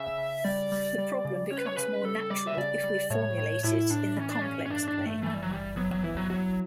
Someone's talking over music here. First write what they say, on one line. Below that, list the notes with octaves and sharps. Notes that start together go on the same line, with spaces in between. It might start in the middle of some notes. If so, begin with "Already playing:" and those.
The problem becomes more natural if we formulate it in the complex plane.
Already playing: C#3 E5
C#3
G3 D5
G3
G3
C#3
C#4 C#5
B4
C#5
C#3 B4
G3 A4
G3 D5
E5
C#3 D5
G3
A2 C#5
A2
A2 E4
A2 D4
E3 C#4
D4
G2 C#4
C#4
G2 D4
D4
G2
A3
E3 A3
G3
F#3
E3 G3
F#3 B3
F#3
E3 E4
F#3
F#3 F#4